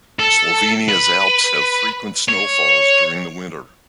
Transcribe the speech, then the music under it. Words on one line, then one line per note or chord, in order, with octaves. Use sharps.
Slovenia's Alps have frequent snowfalls during the winter.
A4
B4
C#5